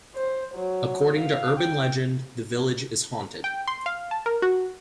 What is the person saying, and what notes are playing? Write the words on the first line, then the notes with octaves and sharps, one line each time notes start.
According to urban legend, the village is haunted.
C5
F#3
F5
G5
G5
C6
F5
A5
A#4
F#4